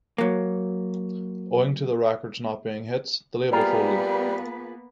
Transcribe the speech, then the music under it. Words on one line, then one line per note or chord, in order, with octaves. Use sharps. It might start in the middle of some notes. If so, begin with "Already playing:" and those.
Owing to the records not being hits, the label folded.
F#3 A#3
G3 A#3 B3 F4 G#4 A#4 B4